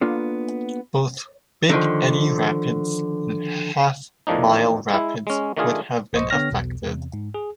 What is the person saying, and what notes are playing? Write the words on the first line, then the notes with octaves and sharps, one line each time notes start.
Both Big Eddy Rapids and Half Mile Rapids would have been affected.
A#3 B3 D4 F4 A4
D3 D#3 F3
E2 A2 D#3 F3 D4 D#4
G#3 E4
G#3 C#4
D#3 A3 D4 F4 G#4
A#1 G2 C5 D#5 C#6
D3 B3 C#5 G5 F6 A#6
B1 E2 B2
E2 C3
G#2
G#4